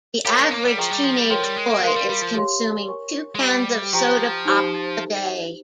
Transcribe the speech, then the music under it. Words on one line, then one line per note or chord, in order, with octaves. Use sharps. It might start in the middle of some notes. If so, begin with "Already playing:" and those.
The average teenage boy is consuming two cans of soda pop a day.
G4 A#4 C#5 F5 A#5
G#3
A#3
G3
F3 G#4 D#5 G5 A#5 C#6
G3
F3
G3
F3 A#4 C#5 G5 C6
G3
G#3
A#3
G#3 A#4 F5 C6
G3
G3
F3
G4 C#5 F5 C6
A#4 C#5 G#5 C#6
G#3
G3 G4 C5 D#5 G5
F3 G4 C5 G5 A#5 C#6
D#4 G4 C5